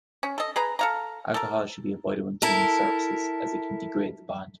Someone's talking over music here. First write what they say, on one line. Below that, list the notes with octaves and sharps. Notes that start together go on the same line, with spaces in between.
Alcohol should be avoided when cleaning surfaces, as it can degrade the bond.
C#4
A4 D#5
G#4 B4 A#5
A4 F5 A#5
A4 A#4
E4 A4 A#4